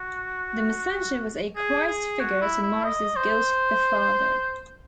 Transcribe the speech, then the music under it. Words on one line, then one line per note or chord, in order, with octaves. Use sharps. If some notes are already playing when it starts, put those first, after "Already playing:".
The Messenger was a Christ figure to Morris's God the Father.
Already playing: F#4
G#4
G#4
F#4
E4
E4
D#5
C5